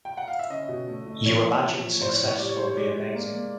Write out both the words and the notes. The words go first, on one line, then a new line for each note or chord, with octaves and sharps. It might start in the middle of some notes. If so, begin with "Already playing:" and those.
You imagine success will be amazing.
G5
F#5
F5
E5
C#4 D#5
B2
A3
A3
E3 C#5
E3
F3
F3
A2 C5
C#5
A2
C#5
G3 D5
C#5
G3 C5
C#5
G#3 D5
G#3
A#3
A#3